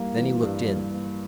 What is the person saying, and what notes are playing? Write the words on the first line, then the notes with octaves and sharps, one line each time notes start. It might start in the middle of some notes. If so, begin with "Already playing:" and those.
Then he looked in.
Already playing: G2 E3 G3 A#3
E3
G2
G3
A#3